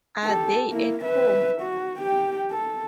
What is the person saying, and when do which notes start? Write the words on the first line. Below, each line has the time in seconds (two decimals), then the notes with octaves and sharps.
Are they at home?
0.25 G4 A4
0.71 A#3 E4
1.04 B4 E5
1.62 F#4
1.98 G4 G5
2.51 A4